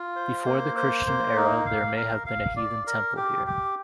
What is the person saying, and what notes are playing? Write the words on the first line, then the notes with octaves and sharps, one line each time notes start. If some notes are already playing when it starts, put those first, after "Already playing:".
Before the Christian era there may have been a heathen temple here.
Already playing: F4
C5
A#3
C5
A#3
D#4
F5
A#4
F5
D5
A#4
G4
G4